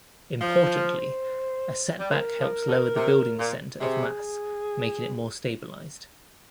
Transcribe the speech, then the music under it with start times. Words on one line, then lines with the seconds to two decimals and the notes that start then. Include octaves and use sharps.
Importantly, a setback helps lower the building center of mass, making it more stabilized.
0.41 F3 C5
0.56 C5
1.99 G3
2.11 F3 A#4
2.39 F3
2.68 D3
2.96 C3
3.39 A#2
3.80 C3 G#4